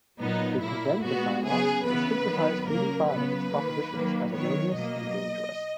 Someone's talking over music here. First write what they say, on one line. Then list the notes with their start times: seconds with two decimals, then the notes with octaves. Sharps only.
They condemned the synod and stigmatized eighty-five of its propositions as erroneous and dangerous.
0.20 A#2 F#3 B3 D#4
0.61 A#2 A#3 E4
1.02 A#2 G#3 B3 F#4
1.44 C#3 F#3 B3 G#4
1.86 C#3 E3 B3 B4
2.27 D#3 F#3 B3
2.68 C#3 F#3 A#3 A#4
3.10 C#3 F#3 B3 B4
3.51 D#3 A#3
3.93 D#3 F#3 A#3
4.33 D#3 F#3 B3 C#5
4.75 B2 F#3 A#3 D#5